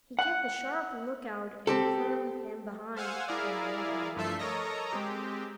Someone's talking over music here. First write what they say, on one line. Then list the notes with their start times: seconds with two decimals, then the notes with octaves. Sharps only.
He kept a sharp lookout in front and behind and went on.
0.19 F#5
1.67 C4 G4 A4
2.97 C5 F5 F#5 G#5 E6
3.28 E4 G#4 A#4 D5 F5
4.16 G2 F3 A3 A4 E5 C7
4.39 A4 A#4 C#5 D#5 A#5
4.93 G#3 C4 G4